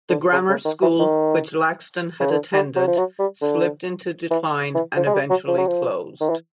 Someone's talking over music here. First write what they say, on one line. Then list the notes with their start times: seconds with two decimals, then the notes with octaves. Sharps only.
The grammar school which Laxton had attended slipped into decline and eventually closed.
0.09 D3
0.32 C#3
0.49 C#3
0.65 D#3
0.82 E3
0.99 D#3
2.20 C#3
2.31 D3
2.53 G3
2.76 F#3
2.87 F3
2.97 F#3
3.19 G3
3.42 D3
4.30 E3
4.75 E3
4.96 F3
5.06 G#3
5.14 G3
5.30 F#3
5.47 F3
5.58 F#3
5.67 F3
6.21 D#3
6.29 E3